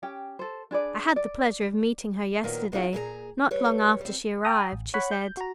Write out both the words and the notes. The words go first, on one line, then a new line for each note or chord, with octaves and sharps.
"I had the pleasure of meeting her yesterday, not long after she arrived," she said.
C#4 G4 G5
A4 C5
D4 G#4 B4 D5
D5
A#2 D#3 F#3 A#3 B3
G#3 B3 C4 D#4 F4 G#4
A#2 G#4 A4 A#5
G3 B4 C#5
G3 C4
G5 A5 A#5 D#6
A1
C#5 F#5 B5
G6
F#4 A#5